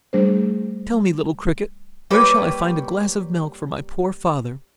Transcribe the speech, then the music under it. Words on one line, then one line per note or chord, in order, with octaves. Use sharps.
"Tell me, little Cricket, where shall I find a glass of milk for my poor Father?"
G3 A3 D4 G#4 C5
G3 A#3 G4 B4 C#5